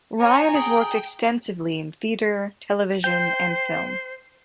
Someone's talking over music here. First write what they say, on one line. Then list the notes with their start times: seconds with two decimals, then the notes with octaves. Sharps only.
Ryan has worked extensively in theatre, television and film.
0.20 C#5 G#5 A#5
0.55 G#4 G5
3.04 C5 G5